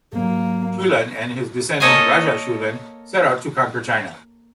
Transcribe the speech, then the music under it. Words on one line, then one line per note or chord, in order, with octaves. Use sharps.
Shulan and his descendant Raja Chulan set out to conquer China.
G#2 F#3 A#3
A#3 A4 C#5 D#5 F5 G#5